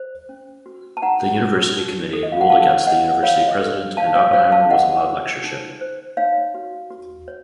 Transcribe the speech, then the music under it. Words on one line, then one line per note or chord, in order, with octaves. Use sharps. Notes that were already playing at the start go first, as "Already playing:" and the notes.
The university committee ruled against the university president and Oppenheimer was allowed lectureship.
Already playing: C5
C#4
F#4
A5
D#4 F#5 A#5
C#5
D#4
A4
D#5
F5
F#5
F4 F5 A5
C#5 D#5 F#5
F4 C#5 F5
D#5
A4
D#4 F5 A5
C#5 F5
C5 C#5 F5
F5 A5
D#4 D#5 F#5
F#4
D#4
C5
D#4 C#5 F5
F#4
F#4
C#5